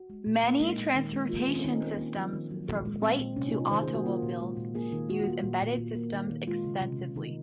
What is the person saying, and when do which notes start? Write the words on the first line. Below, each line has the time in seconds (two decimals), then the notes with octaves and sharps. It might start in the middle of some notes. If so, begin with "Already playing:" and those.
Many transportation systems from flight to automobiles use embedded systems extensively.
Already playing: F#4
0.10 G#3
0.26 A#2
0.44 A#3
0.60 G#3 D#4
0.77 A#2
0.95 D#3
1.12 G#3
1.29 A#3 F4
1.39 G#4
1.47 D#3 C#4
1.56 C4
1.64 D#3 D#4
1.82 A#3
1.99 A#3
2.16 F3
2.33 D#3
2.51 F#3
2.68 A#2
2.85 G#3
3.02 A#2 C4
3.19 A#2
3.36 C3 C#4
3.48 D#4
3.54 C3
3.59 F4
3.71 D#3 C5
3.83 G#4
3.89 A#3
3.94 F#4
4.06 A#3 F4
4.22 A#2
4.40 G#3
4.57 A#2
4.75 A#3 G#4
4.92 D#3
5.09 A#3 F#4
5.20 F4
5.26 A#3 F#4
5.44 A#2
5.61 A#2
5.78 A#2
5.95 A#3
6.13 D#3
6.30 D#3
6.47 G#3 F4
6.64 C#3
6.81 C3
6.99 C3
7.16 D#3 D#4